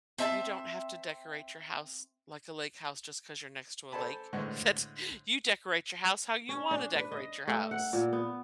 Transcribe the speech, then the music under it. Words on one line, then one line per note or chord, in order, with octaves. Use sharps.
You don't have to decorate your house like a lake house just 'cause you're next to a lake. That's you decorate your house how you wanna decorate your house.
C4 E5 G#5 A5
A4 C5 D5 G#5 A5 B5
A2 D3 G#3 B4 C5 C#6
C#4
D4
B4
D#5
A3
F#5
A#2
B3